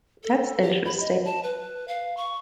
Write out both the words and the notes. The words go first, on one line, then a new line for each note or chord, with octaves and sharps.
That's interesting.
A4
G4
B5
D#5
A5
B4
F5
C#6